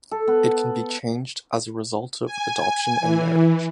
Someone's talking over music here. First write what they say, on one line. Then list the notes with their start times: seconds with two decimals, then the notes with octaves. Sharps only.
It can be changed as a result of adoption and marriage.
0.12 A4
0.27 B3
2.25 G#5
3.00 E3